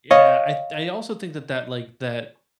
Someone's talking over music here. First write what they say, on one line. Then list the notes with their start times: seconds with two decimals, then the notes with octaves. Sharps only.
Yeah, I th I also think that, like, that,
0.11 C#5 D#5 F5